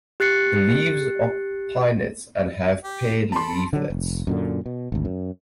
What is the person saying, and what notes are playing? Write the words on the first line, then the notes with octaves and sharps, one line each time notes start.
The leaves are pinnate and have paired leaflets.
G4 F#6 A6 C7 C#7
G4
A4 A5 B5 C6
D3 F#3
F1
F#2 A#2 D3
B2
G#1 D2
F#2